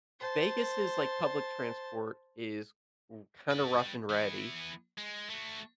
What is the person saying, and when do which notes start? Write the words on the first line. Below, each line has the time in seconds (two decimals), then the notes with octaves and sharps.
Vegas is like public transport is r kinda rough and ready,
0.20 C5 A5
3.51 G3 B4
4.10 E3 B3
4.98 G#3
5.29 A3 F#4